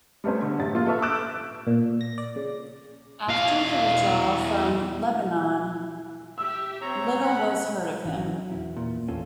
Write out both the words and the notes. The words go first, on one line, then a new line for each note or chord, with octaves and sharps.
After the withdrawal from Lebanon little was heard of him.
G3 A3 B3 C#4 C5
D3
A1 F#2 A3 G4 A6
F3 A#3 F4
A4 B4 E5 C#6 F6
D6 E6 F#6 G6 D7 E7
A#2
A#6
D5
C#3
E2 F5
G4 E5 E6
C4 C#5 A#5
B3 F#5 B5
G#1 E3 C#4
F#3
E2 G2 E4
A#2
A1 E2 C#4 F4 A4